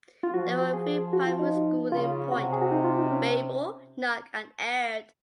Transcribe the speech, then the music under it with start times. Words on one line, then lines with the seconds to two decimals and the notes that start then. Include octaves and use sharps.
There were three primary schools in Point: Bayble, Knock and Aird.
0.23 F4
0.34 F3 F#4
0.73 G#4
0.87 G#4
1.13 F#4
1.26 F4
1.39 D#4
1.92 C#3 F4
2.32 C3 F#4
2.52 G#4
2.61 F#4
2.71 D#4
2.84 F4
2.98 D#4
3.11 C#4